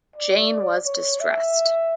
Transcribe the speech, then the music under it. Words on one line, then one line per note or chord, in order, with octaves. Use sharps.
Jane was distressed.
D5
C#5
E5